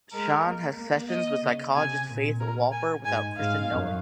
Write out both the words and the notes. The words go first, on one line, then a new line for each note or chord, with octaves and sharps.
Sean has sessions with psychologist Faith Wolper without Christian knowing.
G#3 A#4
A#3
A#3
D#5
C#3
C3 G#5
A#2
A#4
G#5
G#2 G#5
G#2 F5
F#2